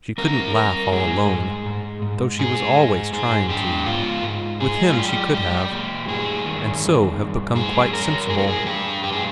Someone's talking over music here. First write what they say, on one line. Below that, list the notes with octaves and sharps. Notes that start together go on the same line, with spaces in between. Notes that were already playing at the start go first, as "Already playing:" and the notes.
She couldn't laugh all alone, though she was always trying to; with him she could have, and so have become quite sensible.
G3 A#4
G3 A#4
G#2 G#4
G#2
G#2
G#2
G#2 G#4
G#2
G#2 G#4
G#2 G4
G#2 F4
G#2
G#3 G#4
F4
G#3 G4
G#3 G4
A#2
G2 G#4
D#3
G2
G2
G2 G#4
G3 A#4
G2 G#4
A#4
G#4
G2 G4
G3 G4
G#4